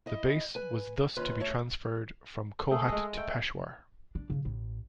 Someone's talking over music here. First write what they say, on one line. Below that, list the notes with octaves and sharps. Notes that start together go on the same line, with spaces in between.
The base was thus to be transferred from Kohat to Peshawar.
E4 D#5
B4 G#5
D#2 C#4 F4 B4
A3 C#5
A3 G#4 A4
G#3 D#5
G#3 A3 A4 G5
D4
C#3
A1